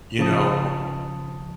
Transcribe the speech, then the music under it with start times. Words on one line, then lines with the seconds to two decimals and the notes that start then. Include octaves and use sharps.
you know?
0.19 C#3 F3 A5 D#6